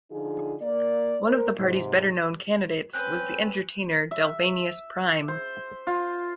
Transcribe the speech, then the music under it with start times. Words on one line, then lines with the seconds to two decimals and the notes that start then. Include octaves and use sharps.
One of the party's better known candidates was the entertainer Dalvanius Prime.
0.11 D3 F3 D#4 F4 G#4
0.62 A#3 D5
1.26 A#4 C5
1.59 G#2 C3
2.93 C4 C#4 B4 F#6 G6
4.11 E5
5.28 C5
5.87 F4